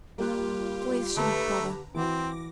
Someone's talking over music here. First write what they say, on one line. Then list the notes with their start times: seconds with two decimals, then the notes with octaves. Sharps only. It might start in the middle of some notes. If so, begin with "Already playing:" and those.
Boys shouldn't bother.'
0.18 G3 A#3 F4 G4 F#6
1.17 D3 A3 B4 A5 A#5
1.94 E3 C4 E4 F#4 D6 A#6